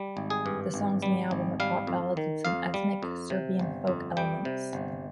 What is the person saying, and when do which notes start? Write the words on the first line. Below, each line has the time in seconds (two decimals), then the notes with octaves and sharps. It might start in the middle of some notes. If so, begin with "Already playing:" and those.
The songs in the album are Pop ballads with some ethnic Serbian folk elements.
Already playing: G3
0.17 G#1
0.30 G#4
0.46 G2
0.74 G#1
1.02 G3
1.31 G#1
1.60 G3 F5
1.87 F2
2.17 D#3
2.45 F2 F5
2.74 G3
3.03 F2
3.30 C3
3.59 G1
3.87 F2
4.17 G3 G5
4.45 C3
4.73 G1